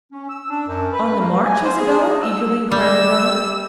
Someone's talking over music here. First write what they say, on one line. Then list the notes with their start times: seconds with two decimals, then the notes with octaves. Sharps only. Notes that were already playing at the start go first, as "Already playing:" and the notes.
"On the march, Isabella?" eagerly inquired her brother.
0.12 C#4
0.29 E6
0.50 D4
0.67 F#2
0.93 B4
1.19 A#3
1.44 G#5
1.63 C5
1.78 G#4
1.99 D#4
2.23 E6
2.72 G3 E6